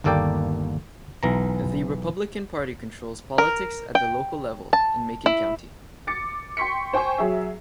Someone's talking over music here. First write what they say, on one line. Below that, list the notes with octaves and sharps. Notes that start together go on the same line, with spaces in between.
The Republican Party controls politics at the local level in Macon County.
G1 D#2 A#3 A4 D5 G5
B1 E3 A#5
A#4
G5
A5
E4
D6 A6 C#7
G5 C6 C#6 B6 C#7
C5 G5 G#5 C#6
F#3 G#4 E5